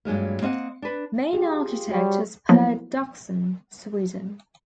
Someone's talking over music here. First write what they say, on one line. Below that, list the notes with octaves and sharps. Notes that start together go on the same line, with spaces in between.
Main architect was Per Dockson, Sweden.
G2 F#3 G#3 A#3
A#3 C4 D#5 E5 F#5
D4 B4
F4 G4 G#4
G3 F#4 C#5
F3 F#3 A#3 B3 E4